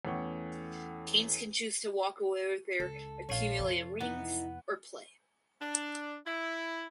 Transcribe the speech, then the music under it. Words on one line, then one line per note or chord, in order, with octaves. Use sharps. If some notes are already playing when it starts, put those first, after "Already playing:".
Teams can choose to walk away with their accumulated winnings or play.
E2 A3 C#4 F#5 G5 C#6
C#2 A4
A#1 F4 C#5
F2 C3
E3 B3 D#4
D4
E4